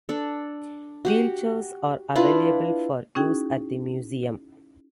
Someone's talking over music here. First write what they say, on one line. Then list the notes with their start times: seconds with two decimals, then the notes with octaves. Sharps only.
Wheelchairs are available for use at the museum.
0.09 D4 A4
1.05 F#4 G4 F#5
2.15 D4 E4 F4 B4
3.15 C#4 D#4 E4 F#4 G#4 G5